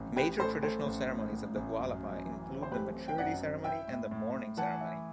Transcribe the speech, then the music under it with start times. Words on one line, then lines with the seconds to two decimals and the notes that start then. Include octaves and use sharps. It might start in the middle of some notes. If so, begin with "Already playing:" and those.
Major traditional ceremonies of the Hualapai include the "Maturity" ceremony and the "Mourning" ceremony.
Already playing: A1
0.16 A2 G4 B4
0.39 A2 A4 C5
0.63 A2 A4 C5
0.86 A1
1.09 A2
1.32 A1
1.56 A1
1.78 F#2
2.03 F#2
2.25 E3
2.48 C4
2.62 C5
2.72 A3 G4 B4
2.95 C4
3.08 G5
3.18 F#2 D5 F#5
3.41 C4
3.64 E4 E5 G5
3.88 A2
4.11 A2
4.34 A2
4.57 E3 F#5 A5
4.81 E4